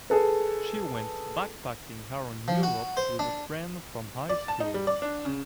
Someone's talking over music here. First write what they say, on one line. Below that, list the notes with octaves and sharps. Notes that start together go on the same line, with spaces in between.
She went backpacking around Europe with a friend from high school.
G#4 A4 B4
F3
F#4
C5
D4
D5
A5
D#4
G3
D5
D4
C#3